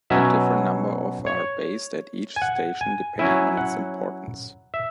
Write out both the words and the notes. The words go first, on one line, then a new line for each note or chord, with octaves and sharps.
A different number of are based at each station depending on its importance.
B2 F#3 C#4 E5
C#5
G#5
F#5
G#5
F#3 C#4 E4 G#5
F#5
E5